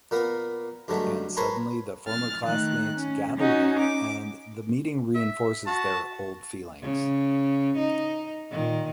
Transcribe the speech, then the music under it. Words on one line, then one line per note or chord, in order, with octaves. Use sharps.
And suddenly the former classmates gather there and the meeting reinforces their old feelings.
A#2 A#3 B3 A#4
D2 G2 D3 F#3 G#3 A3
A#4 B4 C#5 A5 A#5 C6
F6 A6
D#3 A3 F#6
C#4
C#4 D#4 F#4
D6
E5
F#4 A5
C#3
D#4
A#2 D#3